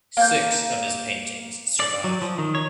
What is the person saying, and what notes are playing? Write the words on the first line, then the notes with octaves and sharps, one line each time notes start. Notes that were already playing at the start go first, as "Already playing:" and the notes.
Six of his paintings survived.
A#3 G6
D5
F#3
F3
D#3
C#5